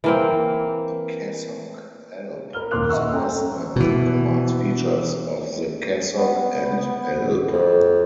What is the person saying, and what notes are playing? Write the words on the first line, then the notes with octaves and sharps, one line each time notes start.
A cassock-alb is a vestment that combines features of the cassock and alb.
E3 A#3 C4
A#4 B5 F6 G7
D#2 A#3 C6 D6 F#6 F7
D#5 E5 F#5 C6 C#6 E6
C#4 A4 G5 A#5
B2 E3
B3
F2